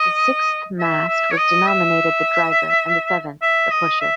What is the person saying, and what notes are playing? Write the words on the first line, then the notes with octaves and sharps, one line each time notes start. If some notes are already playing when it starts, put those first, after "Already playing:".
The sixth mast was denominated the driver and the seventh the pusher.
Already playing: D#5
E5
E5
C#5
D#5
E5
E5
D#5
E5